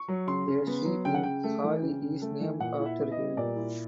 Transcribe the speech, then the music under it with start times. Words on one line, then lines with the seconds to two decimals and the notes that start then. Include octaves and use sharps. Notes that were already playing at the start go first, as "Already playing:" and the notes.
A street in Halle is named after him.
Already playing: C#6
0.08 F#3
0.27 C#3 C6
0.48 C#3
0.67 B3
0.85 F#3
1.05 C#3 G5
1.14 F#5
1.23 C#3 G5
1.44 A3
1.63 E3
1.82 C#3
2.02 C#3
2.22 A3
2.40 E3
2.60 A#2 F#5
2.79 E4
2.86 E5
2.99 B3
3.11 D#5
3.18 G3
3.37 A#2 D5
3.56 E4